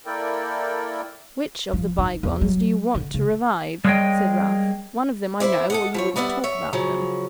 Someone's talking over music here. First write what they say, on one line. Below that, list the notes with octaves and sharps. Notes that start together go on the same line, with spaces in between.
'WHICH of the bygones do you want to revive?' said Ralph. 'One of them, I know, or you wouldn't talk about them.'
A#3 E4 A4 A#4 D5 G5
F3
D#3
E2
F#3
D3
C#3
G3 G#3 A#3 C#5 D#5 G5
E4 C5 D5 E5
A4 D#5 F#5
F3 E4 C#5
G3 B3 D5 E5 F#5
C#5 E5
C#3 F3 F#3